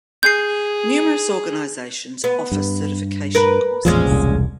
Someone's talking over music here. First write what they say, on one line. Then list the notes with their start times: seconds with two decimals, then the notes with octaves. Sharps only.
Numerous organizations offer certification courses.
0.23 G#4 G6 C7
2.24 B3
2.52 G2
3.35 A#4 B4
3.85 A1 E2 A#2 F3 G#3 C#4
4.06 E1 C2